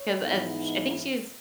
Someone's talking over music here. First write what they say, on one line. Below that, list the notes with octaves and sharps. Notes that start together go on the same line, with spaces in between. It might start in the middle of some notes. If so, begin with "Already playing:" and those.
'cause as sh I think she's
Already playing: C#5
G#2 E3 B3 D#4